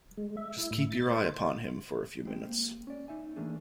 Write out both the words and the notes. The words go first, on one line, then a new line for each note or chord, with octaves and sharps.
Just keep your eye upon him for a few minutes.
G#3
E5
E4
A2
A6
C5
G#3 C4 G4 G#4 C5 G5
A#3
C#4 D5
D#4 E5 G#5
E3 A3 A#3 D4 G#4